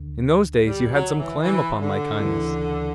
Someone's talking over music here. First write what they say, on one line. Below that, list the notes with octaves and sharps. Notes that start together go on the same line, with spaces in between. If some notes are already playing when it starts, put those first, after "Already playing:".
In those days you had some claim upon my kindness.
Already playing: D2 D3
G3
F#3
E3
E3
D3
D2 C#3 E3